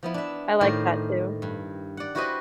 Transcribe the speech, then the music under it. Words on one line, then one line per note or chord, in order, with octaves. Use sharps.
I like that, too.
F3 B3 E4
D4 E5
A2 D#3 A#4 C5 D5
G2
D5 F#5
E4 F#4 G4 B4 C5 D#5